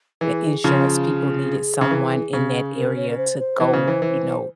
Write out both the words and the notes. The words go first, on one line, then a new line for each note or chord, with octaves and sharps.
the insurance people needed someone in that area to go, you know,
E3 G#4
C#3 F3
C#3
E3
C#3
A#4
C#5
A#4
C5
C5
E3
C#3
E3
E3